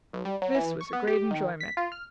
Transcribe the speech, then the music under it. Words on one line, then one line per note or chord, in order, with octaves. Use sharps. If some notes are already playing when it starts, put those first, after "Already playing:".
This was a great enjoyment.
B1
G3
F#3
E3
C#6
B3
G4
D#3
B6
F4
F6